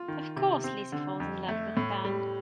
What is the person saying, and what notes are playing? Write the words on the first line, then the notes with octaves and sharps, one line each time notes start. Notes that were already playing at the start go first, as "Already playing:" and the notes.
Of course, Lisa falls in love with Van.
Already playing: F4
D#3
C3
C4
D3
F2
A3
A2
G3